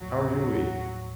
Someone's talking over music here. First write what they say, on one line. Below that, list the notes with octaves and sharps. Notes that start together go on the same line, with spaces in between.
"How are you, Eve?"
D#2 A2 F3 F#3